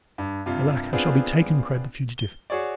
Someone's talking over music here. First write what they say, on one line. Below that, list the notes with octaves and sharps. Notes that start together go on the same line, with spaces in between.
"Alack, I shall be taken!" cried the fugitive.
G2
G2 C3 F4
B3 C4 D4 F4 G#4
G7
F#4 G#4 C#5 D5